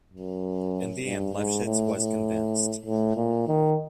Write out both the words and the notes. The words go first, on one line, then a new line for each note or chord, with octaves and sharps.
In the end Lefschetz was convinced.
F#2
G2
G#2
A2
A2
A2
A#2
D#3